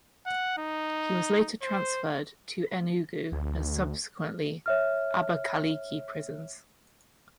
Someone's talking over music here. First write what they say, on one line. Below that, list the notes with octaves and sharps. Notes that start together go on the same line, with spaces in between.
He was later transferred to Enugu and subsequently Abakaliki prisons.
F#5
D#4
C5
D2
C#5 E5 F6